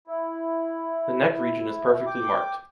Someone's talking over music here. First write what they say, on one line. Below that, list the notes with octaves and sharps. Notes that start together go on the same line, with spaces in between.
The neck region is perfectly marked.
E4
G5 D6